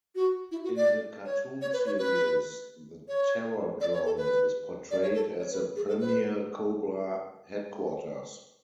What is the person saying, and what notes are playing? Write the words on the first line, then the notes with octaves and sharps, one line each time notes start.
In the cartoon series, the Terror Drome is portrayed as the premiere Cobra headquarters.
F#4
E4
F#4
D5
C#5
C#5
B4
C#5
B4
C#5
D5
C#5
A4
B4
D5
C#5
A4
C#5
B4
G#4
A4
B4